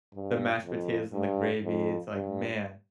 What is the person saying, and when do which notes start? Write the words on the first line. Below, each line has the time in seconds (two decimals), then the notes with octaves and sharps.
the mashed potatoes and the gravy, it's like, man,
0.13 G2
0.63 F2
1.12 G2
1.63 F2
2.13 G2